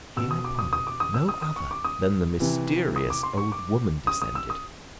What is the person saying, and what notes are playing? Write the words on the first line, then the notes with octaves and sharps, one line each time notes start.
Hereupon, no other than the mysterious old woman descended.
B2 E6
D#6
D6
D#6
D#6
D6
D#6
E6
D#6
D#6
C#6
D6
D#6
C3 E3
D#6
D6
C6
C#6
D6
D#6
D#6
E6
D#6